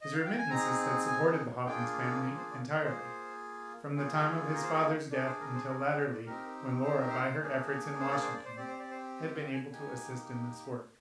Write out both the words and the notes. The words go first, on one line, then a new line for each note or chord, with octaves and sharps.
His remittances had supported the Hawkins family, entirely, from the time of his father's death until latterly when Laura by her efforts in Washington had been able to assist in this work.
D#5
F5
G5
G#5
C4 D#4 G#4 A#5
G#5
A#3 D4 F4 G#4 G5
A#4
C5
D5
A#3 F4 G#4 C5
A#3 F4 G#4
A#4
C5
A#4
D4 G#4 D5
C5
A#4
C5
A#4
C5
D5
D5
C4 D#4 G4 A#4
C5
A#4
C5
A#3 D4 G#4
C5
D5
C5
D5
C5
C4 G4 D5
C5
D5
C5
F5
G#5
A#3 D#4 G4 G#5